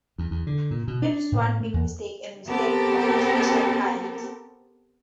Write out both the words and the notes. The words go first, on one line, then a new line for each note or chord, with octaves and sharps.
It is one big mistake and a mistake of a special kind.
E2
E2
D3
A#2
B2
D4
A2
A3
E2
B3 C4 G4 A4 A#4